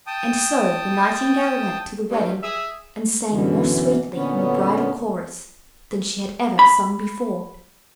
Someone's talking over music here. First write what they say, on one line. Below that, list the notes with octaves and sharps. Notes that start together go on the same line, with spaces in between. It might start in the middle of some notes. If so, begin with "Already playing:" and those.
And so the Nightingale went to the wedding and sang more sweetly in the bridal chorus than she had ever sung before.
G5 A5 D#6
G2
G#4 E5
F#2 B2 D3 E3
A#2 D3 B3 C#4
B5